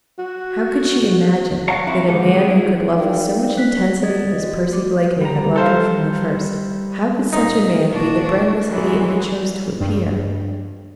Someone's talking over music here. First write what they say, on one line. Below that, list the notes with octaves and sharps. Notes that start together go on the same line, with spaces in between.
How could she imagine that a man who could love with so much intensity as Percy Blakeney had loved her from the first--how could such a man be the brainless idiot he chose to appear?
F#4
C#5 D5 F5 F#5 A5 A#5
C4 E4 F#4 F5
D#2 G#2 D3 G#3 A4 F5
B3 G#4
E4 G#4
D#4 A#4 D5 F5 G5
F#6 B6
G#4 D5 D#5 D#6 G#6 A6
F#4 G4
A3 D6
G3 A#5
A4 C5 F5
A#2 D#4
A#2 D4 F#4
D#3 E3 F#3 G#3
G2